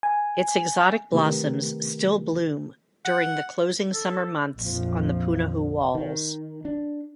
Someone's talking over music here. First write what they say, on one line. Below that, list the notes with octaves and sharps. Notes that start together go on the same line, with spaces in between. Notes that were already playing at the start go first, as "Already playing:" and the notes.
Its exotic blossoms still bloom during the closing summer months on the Punahou walls.
G#5
C3 D#3 A3 B3 G4 A#4
F#5
A4
A#1 F2 F3
D#3
D4